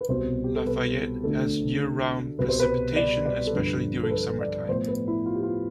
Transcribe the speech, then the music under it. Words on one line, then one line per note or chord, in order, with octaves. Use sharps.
Lafayette has year-round precipitation, especially during summertime.
B4
C2 B2 G3 C5
G4
A4
B4
D2 D3 A3 D4 A4
C2 B2 G3 B4
C5
B4
D5
D5
A4
G2 D3 F3 B4
A4
B4
D5
A2 F3 B3 C5
B4
E4
F4
G4
F4